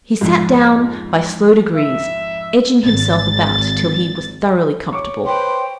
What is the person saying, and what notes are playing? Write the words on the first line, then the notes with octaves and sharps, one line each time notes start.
He sat down by slow degrees, edging himself about till he was thoroughly comfortable.
F2 G#2
E5
G#1 A6
C#5 C#6 D6
B4 C5 G5